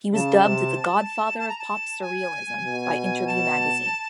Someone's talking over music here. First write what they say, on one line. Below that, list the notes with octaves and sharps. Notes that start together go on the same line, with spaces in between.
He was dubbed "the god-father of pop surrealism" by "Interview Magazine".
C#3 A5
C3
A5
A#5
A5
G#5
B2
A5